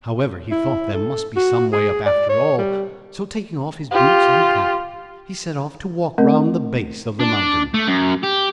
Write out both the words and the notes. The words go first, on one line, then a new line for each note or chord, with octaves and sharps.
However, he thought there must be some way up after all; so taking off his boots and cap, he set off to walk round the base of the mountain.
E4
A4
F#4
G#4
D5
C#5
G3
F4 G4
A3 C4 A#4 D#5
D4
A3
F#2
G4